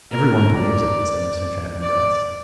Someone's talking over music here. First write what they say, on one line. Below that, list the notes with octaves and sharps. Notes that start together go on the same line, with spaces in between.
"Every one believes it," said Mr. Chaffanbrass.
A#4
D5
D5